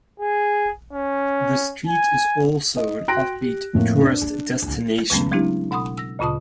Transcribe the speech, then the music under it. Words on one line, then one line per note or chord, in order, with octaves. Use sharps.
The street is also an off-beat tourist destination.
G#4
C#4
G#5
D#5
F#4 G5 C6 F#6 A#6 D7
G4
F2 A2 A3 A#3
D4
C#3 F#3 G#3 A3 B3 C#4
F#3 G#3 C4 D4 E4 G4
B2 F#5 B5 C6 D#6
E6 A#6
D2 A#2 C#3 F4 A5 D#6